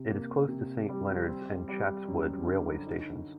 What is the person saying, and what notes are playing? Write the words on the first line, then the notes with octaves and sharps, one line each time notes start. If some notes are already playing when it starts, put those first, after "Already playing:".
It is close to Saint Leonards and Chatswood railway stations.
Already playing: C3
A#3
C3
G3
C4
G3
F#2
D3
D#4